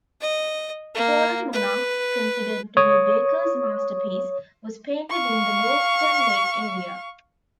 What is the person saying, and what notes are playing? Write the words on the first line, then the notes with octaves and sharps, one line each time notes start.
"Fallen Monarchs", considered to be Baker's masterpiece, was painted in the Ballston Lake area.
D#5
A#3
B4
C#5 D#6
F5 C#6